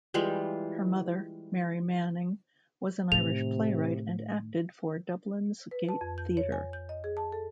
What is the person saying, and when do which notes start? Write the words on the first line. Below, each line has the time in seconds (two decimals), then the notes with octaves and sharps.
Her mother, Mary Manning, was an Irish playwright and acted for Dublin's Gate Theatre.
0.14 E3 G3 G#3 F4
3.12 A2 C3 D#3 F7
5.71 B4
5.89 A5
6.01 F2
6.18 G6
6.37 C#5
6.52 G#5
6.73 G6
6.89 D#5
7.04 G#4
7.17 A5
7.32 A4